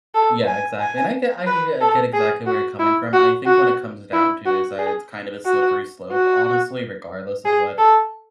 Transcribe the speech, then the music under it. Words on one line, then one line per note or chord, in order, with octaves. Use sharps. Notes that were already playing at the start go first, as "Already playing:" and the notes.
Yeah, exactly. And I get I g get I get exactly where you're coming from, I think what it comes down to is, uh, it's kind of a slippery slope, honestly, regardless of what
A4
G#5
G#5
B4
A4
G#4
F#4
E4
F#4
F#4
E4
F#4
G#4
F#4
F#4
G#4
A4